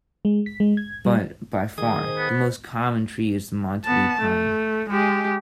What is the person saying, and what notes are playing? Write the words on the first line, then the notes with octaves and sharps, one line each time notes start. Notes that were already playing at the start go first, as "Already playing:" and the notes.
But, by far, the most common tree is the Monterey pine.
G#3
B6
G#3
G#6
G3
D#3 G#4 D#6
C5
B3
B3 A5
A3
G#3 G4